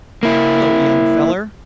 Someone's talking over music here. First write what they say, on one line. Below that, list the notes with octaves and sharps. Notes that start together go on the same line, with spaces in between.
"Hello, young feller."
A#3 E4